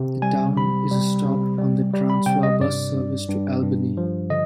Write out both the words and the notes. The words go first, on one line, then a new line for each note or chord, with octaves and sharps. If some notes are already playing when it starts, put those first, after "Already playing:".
The town is a stop on the Transwa bus service to Albany.
Already playing: C3
G3 G#5
C3 B5
G3
C3
G3
G3
B5
C3 G5
D#5
G2 D5
G2
G2
G2
F3
D3 D#5